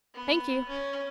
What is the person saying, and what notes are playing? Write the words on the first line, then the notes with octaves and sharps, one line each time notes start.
Thank you.
B3
C#4